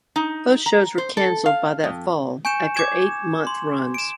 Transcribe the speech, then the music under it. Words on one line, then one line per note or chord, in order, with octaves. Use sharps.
Both shows were canceled by that fall after eight-month runs.
D#4
A#5
C5
A4
F5
F2
G#5 C#6 G6 C#7 E7
D6 G#6 E7
C6
D7 E7